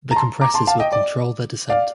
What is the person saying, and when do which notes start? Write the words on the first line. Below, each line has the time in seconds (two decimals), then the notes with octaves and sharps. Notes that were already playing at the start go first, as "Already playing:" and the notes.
The compressors will control their descent.
0.11 A#5
0.16 A5 C6
0.41 A#5 D6
0.54 A5 C6
0.67 F5 A5
0.80 D#5 G5
0.93 D5
1.69 D5 F5